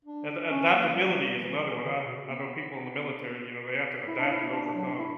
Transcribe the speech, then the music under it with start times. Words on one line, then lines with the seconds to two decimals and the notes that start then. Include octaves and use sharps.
And adaptability is another one, I I know people in the military, you know, they have to adapt and overcome.
0.05 D4
0.50 C#4
0.72 A#3
0.95 G3
1.40 E3
1.50 E3
1.62 E3
1.73 E3
1.84 D3
1.96 C#3
2.07 B2
2.17 C#3
2.29 B3
4.08 E4
4.19 D4
4.31 E4
4.41 E4
4.53 D4
4.64 D4
4.75 F#3
4.86 D4
4.98 E4